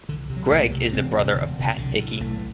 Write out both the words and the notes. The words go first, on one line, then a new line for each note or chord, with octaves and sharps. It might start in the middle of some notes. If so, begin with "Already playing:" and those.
Greg is the brother of Pat Hickey.
C2 D3
C3
F#3
C2 A3
C3
E1 C4
D2 C3
E1 D3
D2 C3
B1 D3
A2
B1 A3